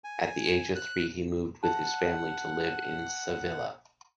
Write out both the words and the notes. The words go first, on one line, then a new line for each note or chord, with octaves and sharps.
At the age of three, he moved with his family to live in Sevilla.
G#5
F#6
F#5 A5